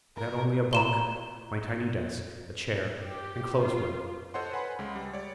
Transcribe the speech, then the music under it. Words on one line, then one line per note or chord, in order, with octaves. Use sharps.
It had only a bunk, my tiny desk, a chair and clothes robe.
A#4
A#5 E7 G7
G4
F4
A4 C5 C#5 D#5 F#5 C6
B4 F#5 G#5 B5 C6
C#2 G#3
G3
C#5 D5